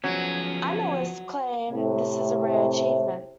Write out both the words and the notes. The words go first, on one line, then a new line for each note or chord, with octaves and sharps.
"Analysts" claim this is a rare achievement.
F3 F#3 B3 C#4
A2 C3